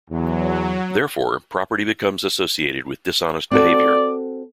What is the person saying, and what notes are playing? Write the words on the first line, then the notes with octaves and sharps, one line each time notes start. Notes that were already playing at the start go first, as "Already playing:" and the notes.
Therefore, property becomes associated with dishonest behaviour.
E2 F#3
C4 F#4 A4 D5